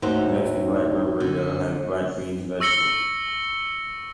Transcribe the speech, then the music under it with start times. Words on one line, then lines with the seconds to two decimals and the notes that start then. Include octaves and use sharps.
The Mexican blackbird burrito has black beans and vegetables.
0.02 D#2 A2 D#4 F#4 C5
1.20 D3
2.60 C#6 E6 A#6 C#7 G7